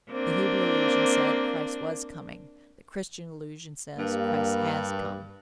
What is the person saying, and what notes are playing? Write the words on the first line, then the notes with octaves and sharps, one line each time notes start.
The Hebrew illusion said, Christ was coming; the Christian illusion says, Christ has come.
A#3 C4 D4
G2 A#3